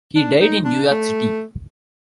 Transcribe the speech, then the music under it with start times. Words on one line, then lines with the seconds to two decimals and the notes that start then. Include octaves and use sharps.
He died in New York City.
0.16 D4
0.41 D#4
0.65 D4
0.91 A3